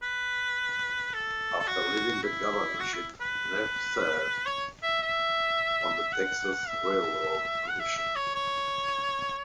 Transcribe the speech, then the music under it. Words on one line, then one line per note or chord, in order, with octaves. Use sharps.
After leaving the governorship, Neff served on the Texas Railroad Commission.
B4
A4
A4
F#4
E4
F#4
E4
B4
C#5
E5
E5
F#5
E5
F#5
E5
E5
C#5
C#5